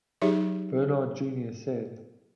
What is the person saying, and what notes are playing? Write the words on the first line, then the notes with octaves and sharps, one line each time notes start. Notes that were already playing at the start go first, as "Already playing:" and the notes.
Bernhard Junior said.
F#3 D#4 G4 G#4 E5